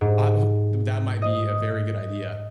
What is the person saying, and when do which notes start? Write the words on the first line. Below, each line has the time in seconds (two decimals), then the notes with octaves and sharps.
I, uh The that might be a very good idea.
0.01 G#2
1.22 D#5